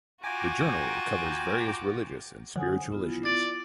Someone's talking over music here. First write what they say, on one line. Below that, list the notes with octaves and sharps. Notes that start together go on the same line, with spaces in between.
The journal covers various religious and spiritual issues.
F4 F#4 G5 G#5 A#5 D6
D3 F3 F#3 F#5 G#5 D#6
B3 E4 F4
D5 A6